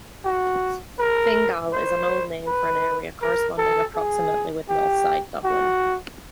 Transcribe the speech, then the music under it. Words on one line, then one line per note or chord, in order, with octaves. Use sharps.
Fingal is an old name for an area corresponding approximately with Northside Dublin.
F#4
A#4
C5
B4
A#4
A4
G#4
G4
F#4